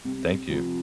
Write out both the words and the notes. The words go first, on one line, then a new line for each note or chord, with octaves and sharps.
Thank you.
C2
C3 F3 C4 F4